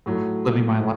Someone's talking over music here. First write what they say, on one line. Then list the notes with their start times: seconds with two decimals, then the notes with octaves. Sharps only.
living my li"
0.06 A2 F#3 A3